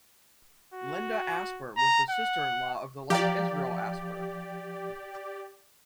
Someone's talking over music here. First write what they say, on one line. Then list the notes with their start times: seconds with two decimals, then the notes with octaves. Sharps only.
Linda Asper was the sister-in-law of the late Israel Asper.
0.74 F#4
1.77 A#5
2.10 F#5
3.10 F3 G4 D5 F5 A#5